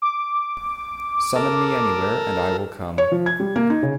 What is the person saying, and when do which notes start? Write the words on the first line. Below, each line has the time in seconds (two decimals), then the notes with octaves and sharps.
Summon me anywhere, and I will come.
0.02 D6
1.35 A4 A#4
2.98 C#5
3.12 F3
3.26 G#6
3.40 G3
3.56 A#3
3.70 D#4
3.83 C#3